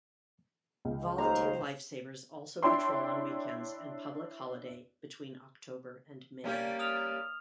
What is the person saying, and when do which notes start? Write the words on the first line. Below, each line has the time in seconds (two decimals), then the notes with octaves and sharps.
Volunteer Life Savers also patrol on weekends and public holiday between October and May.
0.85 C#2
1.18 D#2 C5 A#5
2.63 D4 E4 C#5 G5 C6
6.44 G3 A#3 C#4 G4 D5
6.79 D#6 F6 F7